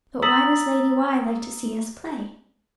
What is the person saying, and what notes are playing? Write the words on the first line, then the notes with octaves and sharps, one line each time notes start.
But why does Lady Why like to see us play?
A#5 D#6 E6 A6 B6 F#7